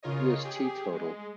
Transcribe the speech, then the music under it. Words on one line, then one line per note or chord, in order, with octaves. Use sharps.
He is teetotal.
C#3 F4 A#4 C#5 D#5
G4 G#4
G#3